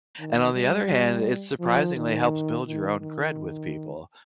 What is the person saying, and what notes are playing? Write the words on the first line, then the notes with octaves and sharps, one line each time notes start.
And on the other hand, it surprisingly helps build your own cred with people
D#3
G3
F3
D#3
D#3
D#3